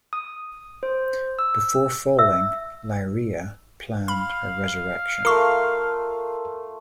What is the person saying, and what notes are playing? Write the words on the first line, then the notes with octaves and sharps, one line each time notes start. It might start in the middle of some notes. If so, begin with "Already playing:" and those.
Before falling, Illyria planned her resurrection.
D#6
C5
E6
E5 E6
F5 B5
A3 F4 A#4 C#6 C7